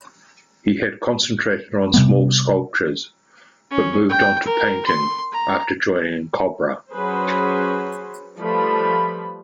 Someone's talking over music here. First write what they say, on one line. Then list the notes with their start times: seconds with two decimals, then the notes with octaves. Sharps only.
He had concentrated on small sculptures, but moved into painting after joining CoBrA.
1.94 C3 G3 B3
3.71 C#4
4.09 G5
4.45 A#4
4.86 C6
5.32 A#5
6.92 F#3 C#4 G#4 B4 C5
8.39 F3 G3 A3 B4 B5